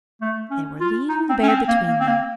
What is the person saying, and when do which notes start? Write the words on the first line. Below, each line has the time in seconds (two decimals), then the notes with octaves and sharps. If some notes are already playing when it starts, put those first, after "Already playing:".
They were leading the bear between them.
0.21 A3
0.51 C#4
0.80 F4
1.09 D#4
1.29 C4
1.43 C#4
1.48 C4
1.68 A#3
1.88 A#3
2.00 C4
2.07 A#3